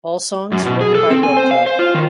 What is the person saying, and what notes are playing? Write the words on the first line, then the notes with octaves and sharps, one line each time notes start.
All songs written by Wilco.
F#2
B2
G#4
A4
C4
G#5
C5
F5
C5
F4
D#3